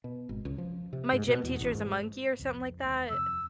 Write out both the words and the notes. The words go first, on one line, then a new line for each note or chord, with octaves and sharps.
My Gym Teacher is a Monkey or something like that?
B2
G#1
C#2
F3
C3
G#2
B2
E2
A1
G#2
C2 F2
E1 D#2
F2 C3 E6